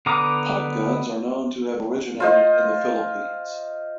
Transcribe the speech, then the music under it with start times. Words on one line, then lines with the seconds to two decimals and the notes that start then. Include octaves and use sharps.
Pipe guns are known to have originated in the Philippines.
0.06 D3 B3 A#5 D6 D#6
2.20 F4 C5 D#5